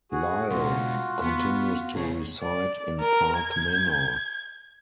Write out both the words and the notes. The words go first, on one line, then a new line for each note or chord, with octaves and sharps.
Lyle continues to reside in Park Manor.
F#4 G#4
B2 G#3 F4 F#4
B3
C2 G#4 C#5
D5
A#4
G#6